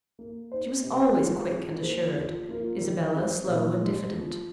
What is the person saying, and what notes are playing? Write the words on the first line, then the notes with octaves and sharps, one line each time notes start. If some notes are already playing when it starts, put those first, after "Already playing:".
She was always quick and assured: Isabella slow and diffident.
A#3
D#4 C5
C3
F3 G#3 C4 G#4
F3
A#3 G#4 C5
F3
A#3 F4 A#4
D#3
C4 G#4 C5
A#2
G#3 D#4
F3